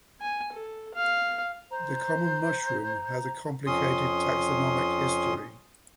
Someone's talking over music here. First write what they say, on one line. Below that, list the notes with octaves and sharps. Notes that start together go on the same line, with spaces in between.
The common mushroom has a complicated taxonomic history.
G#5
A4
F5
C5 A#5
F2 C#4 C6 D#6